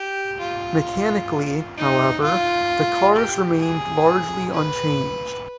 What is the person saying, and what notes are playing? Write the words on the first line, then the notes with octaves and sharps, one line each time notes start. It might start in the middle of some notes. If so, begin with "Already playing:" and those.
Mechanically, however, the cars remained largely unchanged.
Already playing: G4
F4
D#4
F4
G4
G#4
B4